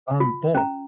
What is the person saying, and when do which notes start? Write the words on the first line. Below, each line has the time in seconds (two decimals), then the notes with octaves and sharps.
Um, both.
0.20 F4
0.55 C#4 A#5